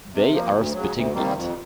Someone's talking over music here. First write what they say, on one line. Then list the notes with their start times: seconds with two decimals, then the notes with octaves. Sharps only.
They are spitting blood.
0.12 C3
0.32 F3 A#3
0.52 D2
0.72 C#3 F#3
0.93 D2
1.13 C3 D#3 G3 A#3
1.33 F2